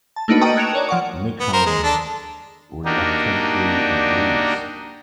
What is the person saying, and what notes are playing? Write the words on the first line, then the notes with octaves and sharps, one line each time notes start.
Michonne reluctantly agrees.
A5
A3 A#3 D4 D#4 F#4 B4
D#5 G5 A5 A#5 C#6 D#6
F#6 G#6 C#7 D7 E7 F7
A#4 C#5 D5
F3 F#5 C#6
B3
A#4 C5
G#3
D4 A4
A#3 D4 D#4 F#4 G4 A#4